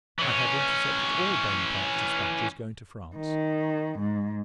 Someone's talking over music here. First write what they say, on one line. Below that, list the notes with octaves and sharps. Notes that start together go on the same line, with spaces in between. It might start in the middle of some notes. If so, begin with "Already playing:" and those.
I have intercepted all Buonaparte's dispatches going to France.
E3 C#4
D#3
G#2